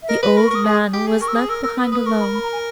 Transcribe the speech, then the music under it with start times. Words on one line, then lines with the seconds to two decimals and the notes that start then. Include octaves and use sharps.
The old man was left behind alone.
0.02 E5
0.09 A#4 D#5
0.22 B4
0.36 A#4 B5
0.47 C#6
0.51 A#4 D#6
0.65 G#4
0.93 G4
1.07 G#4
1.21 A#4 C#6
1.28 E6
1.35 G#4 D#6
1.49 A#4 E6
1.63 A#4 E6
1.78 B4 D#6
1.92 B4 D#6
2.06 A#4 C#6
2.20 B5
2.34 B5
2.43 A#5
2.52 G#5